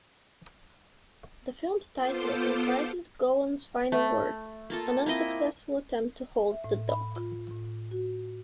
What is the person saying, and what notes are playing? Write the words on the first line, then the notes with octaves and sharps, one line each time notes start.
The film's title comprises Gowan's final words, an unsuccessful attempt to halt the dog.
B3 F4 A4 C5 D6 G6
A3
A#3 F4 A4
A#3 C4 E4 D#5
E5
A2
B5
F4
A2
F#4